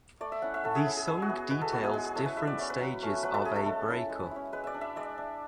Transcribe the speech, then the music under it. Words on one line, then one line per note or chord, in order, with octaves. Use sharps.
The song details different stages of a breakup.
A3 D5
E5
C#4 E4 F#5
E5
A3 A4
G#4
C#4 E4
G#4
G#3 G#4
F#4
B3 E4
G#4
G#3 B4
A4
B3 E4 F#4
G#4
G#3 G#4
G#4
C#4 E4 A4
B4
G#3 E5
D5
C#4 E4 D5
B4
F#3
A3 C#4
F#3 B4
A4
A3 C#4 G#4
A4
G#3
C#4 E4
G#3
C#4 E4
G#3 B4
D5 E5
D4
E5
G#3 D5
D4